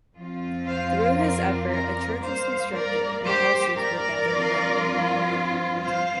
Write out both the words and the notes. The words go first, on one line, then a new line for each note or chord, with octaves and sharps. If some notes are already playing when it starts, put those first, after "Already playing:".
Through his effort, a church was constructed and houses were gathered around it.
F2 F3 C4 F4
C5 F5
A#4 D5
A#4 D5
G2 G3 A#3 C5 F5
A#4 D5
G4 C5
A#4 D5
G2 F3 C4 F4
C5 F5